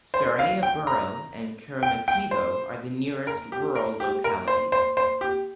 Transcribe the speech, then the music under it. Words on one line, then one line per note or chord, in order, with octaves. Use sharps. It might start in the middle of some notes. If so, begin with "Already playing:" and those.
Staraya Bura and Kiremetevo are the nearest rural localities.
C5
F5
G5
A#5
G5
G5
C5
A#4
G4
A#4
G4
A#4
C5
C5
C5
G4